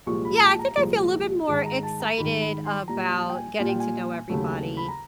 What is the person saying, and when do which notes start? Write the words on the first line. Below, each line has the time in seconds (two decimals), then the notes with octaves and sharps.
Yeah, I think I feel a little bit more excited about getting to know everybody,
0.06 C2 A#2 F3 G#3 C#6
0.25 B5
0.42 A5
0.59 A#5
0.77 C2 A#2 F3 G#3
1.47 G#2 D#3 G#3 A5
1.66 A#5
1.83 A5
2.00 A#5
2.18 G#2 D#3 G#3 B5
2.41 B5
2.65 C6
2.88 A#2 G3 A#5
3.12 A5
3.30 G5
3.35 G#5
3.58 A#2 G3 G#5
3.69 G5
3.80 G#5
4.30 D#2 C#3 F#3 A3
4.77 B5
4.88 A#5